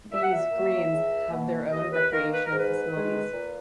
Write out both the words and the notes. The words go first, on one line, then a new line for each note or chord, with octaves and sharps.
These "Greens" have their own recreational facilities.
A#2 E5
F#5
E5
F#3 A#3
C#2
B2 A#3
D#2 D#5
B4
D#3 A#3 A#4
B4
A#4
G#2
B4
D#3 G#3
A#2